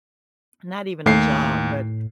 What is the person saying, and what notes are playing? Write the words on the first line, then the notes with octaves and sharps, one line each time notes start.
not even a job, but,
D#2 A2 C7